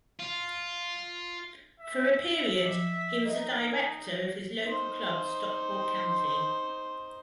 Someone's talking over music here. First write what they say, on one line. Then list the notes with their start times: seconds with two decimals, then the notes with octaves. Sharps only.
For a period he was a Director of his local club Stockport County.
0.20 F4
1.80 E5
2.66 F3
3.25 D#4 D#5 E5
4.63 D#4 C5